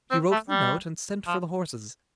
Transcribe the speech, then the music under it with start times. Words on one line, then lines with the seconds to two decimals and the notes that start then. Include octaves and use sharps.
He wrote the note, and sent for the horses.
0.11 C4
0.31 A3
0.50 G3
1.27 F3